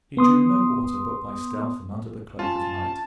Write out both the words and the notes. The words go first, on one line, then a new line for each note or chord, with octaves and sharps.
He drew no water but by stealth and under the cloak of night.
B3 C6 D#6
C#4 F4 A5